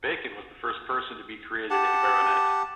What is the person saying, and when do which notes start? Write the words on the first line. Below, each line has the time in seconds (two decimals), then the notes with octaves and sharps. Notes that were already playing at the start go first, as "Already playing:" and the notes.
Bacon was the first person to be created a baronet.
1.70 G4 F#5 A5